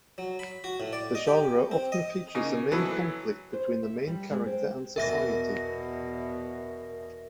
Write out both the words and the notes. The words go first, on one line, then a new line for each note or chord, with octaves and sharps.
The genre often features a main conflict between the main character and society.
F#3
B5
F#4
A2
D5
D#5
G4
C4
D#5
C#3 A#3 D#4
E3 F#3 B3 A4 B4
C5
E5
G3
G#3
C4
E2 B2 A#4 E5 A#6